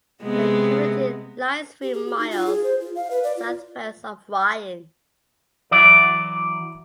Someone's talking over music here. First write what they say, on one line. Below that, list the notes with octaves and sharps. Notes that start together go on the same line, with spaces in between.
The community lies three miles southwest of Ryan.
C3 G#3 B3
G4
G#4
F#4
D#4
F4
G#4
C5
F4
F5
B4
D5
F4
E3 F#3 D5